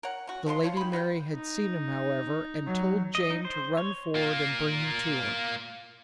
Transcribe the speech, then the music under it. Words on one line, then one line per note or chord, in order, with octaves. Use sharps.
The Lady Mary had seen him, however, and told Jane to run forward and bring him to her.
A#4 C#5 F#5
C#4 F#4
F3 F#3 G#3 C6
C#3 F3 F4 C#5
D#3 B5
F#4 B4 F5 G5
D#4
F#3
D#5
D#4
C5
C#5
A#3 F4